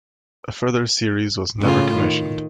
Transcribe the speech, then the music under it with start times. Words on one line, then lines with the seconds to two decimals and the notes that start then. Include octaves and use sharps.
A further series was never commissioned.
1.61 A2 C#3 F4
1.96 D#3